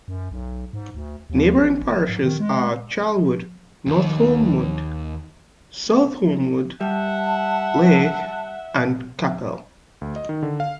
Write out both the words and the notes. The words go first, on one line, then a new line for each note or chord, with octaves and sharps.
Neighbouring parishes are Charlwood, North Holmwood, South Holmwood, Leigh and Capel.
F#2
B1
G#2
D2
D#2
A1
G#1
G#2
D#3
G#3
D#2 D#3
G3 E5 F#5 A5
D2
D#5
D#3
D3
F5